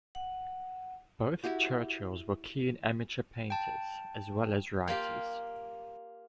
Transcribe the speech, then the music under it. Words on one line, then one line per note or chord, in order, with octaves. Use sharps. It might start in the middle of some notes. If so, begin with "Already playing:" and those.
Both Churchills were keen amateur painters, as well as writers.
F#5
E4 F#4 G4
G5 A5
A#3 F4 G4